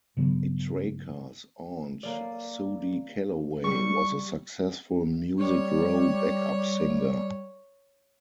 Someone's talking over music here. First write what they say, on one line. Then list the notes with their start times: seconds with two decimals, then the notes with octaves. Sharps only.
Matraca's Aunt Sudie Calloway was a successful Music Row backup singer.
0.17 G2 C#3 F#3 B3
2.03 A#3 D5
3.64 G3 C#6
5.39 G3 C#5